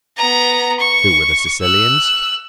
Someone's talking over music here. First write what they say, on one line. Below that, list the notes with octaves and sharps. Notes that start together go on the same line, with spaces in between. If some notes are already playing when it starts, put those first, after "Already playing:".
Who were the Sicilians?
B3 A#5
C#6
E6 F#6